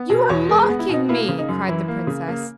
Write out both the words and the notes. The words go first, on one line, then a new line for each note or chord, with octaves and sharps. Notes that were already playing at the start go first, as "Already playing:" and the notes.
"You are mocking me!" cried the princess.
Already playing: B3
B2 G#4
E2 C#5
G#3 A#4
G#4
B3
E4
B2 D#4
A#3 E4
C#3
D#4
F#2
E3 E4
A#3
C#3
A#3